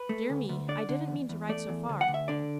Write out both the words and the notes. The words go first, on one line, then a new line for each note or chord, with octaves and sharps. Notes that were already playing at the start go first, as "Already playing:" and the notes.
Dear me, I didn't mean to ride so far.
Already playing: B4
A3
D2
D2
D3 D5
D3
E2
E2
A3 D5
E2
D2
F#5
D2
E5
D3 D5